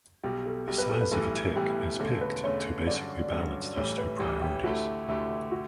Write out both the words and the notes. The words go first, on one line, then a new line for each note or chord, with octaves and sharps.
The size of a tick is picked to basically balance those two priorities.
B1 B2 G3 G4
A4
B1 B2 G3 G4
B4
A4
B4
B1 A2 E3 G3 B3 A4
B1 A2 E3 G3 B3 G4
E1 E2 D3 A3 C#4 A4
B4
E1 E2 D3 A3 C#4 C#5
G2 D3 F#3 C#4 F#4 D5
G2 D3 F#3 C#4 F#4
A1 A2 E3 G3 C#5
B4
A1 A2 E3 G3 G4
G4
D2 D3 A3 E4 F#4 G4
D2 D3 A3 E4 G4
F#4